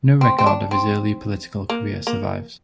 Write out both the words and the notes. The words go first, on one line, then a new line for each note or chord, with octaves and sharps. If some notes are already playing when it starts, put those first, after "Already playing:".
No record of his earlier political career survives.
C4
C4
D4
C4
A#3
A#3